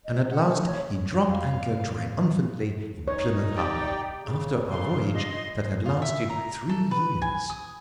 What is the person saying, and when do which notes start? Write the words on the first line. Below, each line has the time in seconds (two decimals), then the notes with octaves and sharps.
And at last he dropped anchor triumphantly in Plymouth harbor after a voyage that had lasted three years.
0.05 D#5
0.30 F#5
0.45 A3
0.66 C#5
1.29 F2 F5
1.77 A2
3.08 D#4 C#5
3.56 G4 D5 G5
4.22 C#3
4.71 A#2 C#3 C6
5.15 D#5 C6
5.86 F4
6.02 E5
6.30 A#5
6.69 A4
6.91 B4
7.22 G#5
7.50 D#6